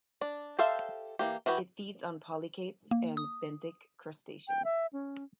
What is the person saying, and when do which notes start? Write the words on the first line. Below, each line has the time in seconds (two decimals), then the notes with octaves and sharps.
It feeds on polychaetes and benthic crustaceans.
0.21 D4 D5
0.59 G4 A4 C5 E5 F5
1.19 E3 A#3 G4
1.46 E3 F#4 G4 B4
2.91 A#3
3.17 D#6
4.48 G5
4.65 E5
4.93 C#4